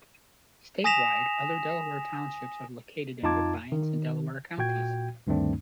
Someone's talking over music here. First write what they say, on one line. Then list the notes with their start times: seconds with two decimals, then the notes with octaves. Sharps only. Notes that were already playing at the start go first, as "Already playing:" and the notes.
Statewide, other Delaware Townships are located in Defiance and Delaware counties.
0.84 G#5 D#6 A#6 B6 E7 F7
3.23 F2 D#4 F4 A5 D6 G#6
3.72 D#3
4.58 A#2 F#4 G5 G#6
5.27 D2 G2 D#3 A3 C4 D4